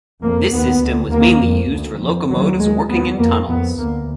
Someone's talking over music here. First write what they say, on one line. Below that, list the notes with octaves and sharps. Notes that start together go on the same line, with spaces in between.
This system was mainly used for locomotives working in tunnels.
F2 A#3
D#2 B3
D2
D#2 A#3
F2
D2
F2
D#2 F#3
D#2 G#3
D#2 B3
F2 A#3
F2 B3
D2 A#3